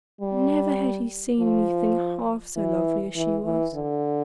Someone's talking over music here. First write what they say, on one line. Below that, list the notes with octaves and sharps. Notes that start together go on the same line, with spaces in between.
Never had he seen anything half so lovely as she was!
G3
F3
E3
E3
E3
D3